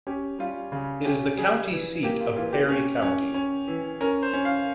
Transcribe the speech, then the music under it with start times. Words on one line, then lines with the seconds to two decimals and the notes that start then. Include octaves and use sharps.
It is the county seat of Perry County.
0.07 C#4 G4
0.39 G3 F4
0.72 C#3
1.05 C#4 G4
1.37 G3 G#4
1.71 E3
2.03 A#3 G4
2.21 F4
2.37 E3 F4
2.53 G4
2.69 C#4
3.02 C#4
3.34 C#4
3.68 E3
4.01 C#4 A#4
4.23 C5
4.33 C#4
4.45 F5